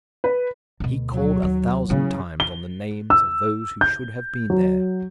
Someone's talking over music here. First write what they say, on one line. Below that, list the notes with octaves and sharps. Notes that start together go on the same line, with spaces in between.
He called a thousand times on the names of those who should have been there.
B4
D2 B2
F#3
D#2
C#3 F#3 E4
G7
E6
G6
F#3